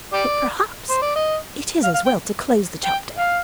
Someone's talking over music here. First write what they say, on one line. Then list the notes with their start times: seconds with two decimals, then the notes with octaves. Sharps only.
But perhaps it is as well to close the chapter.
0.13 G4 D5
0.90 C5
1.02 D5
1.15 D#5
1.84 F5
1.94 F5
2.06 G5
2.85 G5
3.19 F5